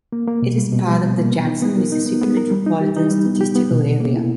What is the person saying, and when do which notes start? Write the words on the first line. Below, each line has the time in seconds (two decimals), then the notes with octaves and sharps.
It is part of the Jackson, Mississippi Metropolitan Statistical Area.
0.12 A#3
0.28 A#3
0.42 B2
0.58 G3
0.72 B2
0.88 G3
1.03 B2
1.18 A#3
1.32 B3
1.47 D#4
1.62 B3
1.77 A#4
1.92 D#4
2.06 B3
2.21 B3
2.37 A#4
2.51 G3
2.66 D#4
2.81 G4
2.97 D#4
3.11 G3
3.26 B3
3.41 G4
3.55 B3
3.71 B2
3.86 B2
4.00 A#3
4.16 E4